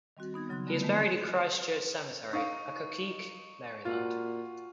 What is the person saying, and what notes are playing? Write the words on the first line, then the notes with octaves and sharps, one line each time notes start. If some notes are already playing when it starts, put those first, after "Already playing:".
He is buried in Christ Church Cemetery, Accokeek, Maryland.
D#3 G3 C4 F#4
B3 D#4 G#6
C#3 F#3 C6 F#6
D3 G3 A3 B3 D#4 F4
D#3 E3 G#3 A3 C4
D#4 F5 C#6 D#6
A#2 F4 F#4